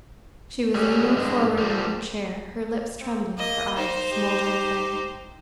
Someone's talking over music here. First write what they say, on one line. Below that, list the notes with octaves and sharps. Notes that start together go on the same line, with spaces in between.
She was leaning forward in her chair, her lips trembling, her eyes a smouldering flame.
G3 G#3 C#4
G2 G#3
F3 G3 A#3
C4
A#3 D#5
D#4 C5
G4